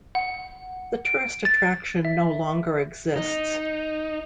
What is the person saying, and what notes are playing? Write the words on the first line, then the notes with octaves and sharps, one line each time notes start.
The tourist attraction no longer exists.
F#5
D7
A6
E5
D#4